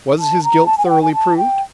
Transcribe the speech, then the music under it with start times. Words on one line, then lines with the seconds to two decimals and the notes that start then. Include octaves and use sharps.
Was his guilt thoroughly proved?
0.19 A5
0.44 A#5
0.66 A5
0.78 G#5
0.86 F#5
0.90 G5
1.02 G#5
1.14 A5
1.37 G5